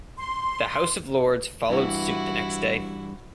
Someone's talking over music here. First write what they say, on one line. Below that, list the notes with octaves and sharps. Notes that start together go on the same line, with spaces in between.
The House of Lords followed suit the next day.
C6
G2 E3 E4 F#4